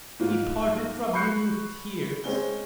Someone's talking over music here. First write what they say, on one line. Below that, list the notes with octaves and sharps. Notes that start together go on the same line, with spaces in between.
He parted from him with tears.
G#2 F4
B5 C#6 F#6 G6 C7 C#7
G#3 C4 C#4 G7